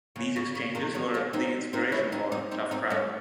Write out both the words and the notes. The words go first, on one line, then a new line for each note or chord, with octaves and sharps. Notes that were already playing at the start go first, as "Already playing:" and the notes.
These exchanges were the inspiration for "Tough Crowd".
C#3
C#3
C#3
C3 D#3
D#3 F#3
A3 C#4
C4 D#4
C4 D#4
C#4 E4
C4 D#4
C4 D#4
C4 D#4
C4 D#4
A3 C#4